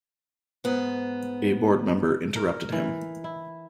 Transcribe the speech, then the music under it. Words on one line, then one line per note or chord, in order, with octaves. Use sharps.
A board member interrupted him.
G#2 B3 C5
A#4
E3
E4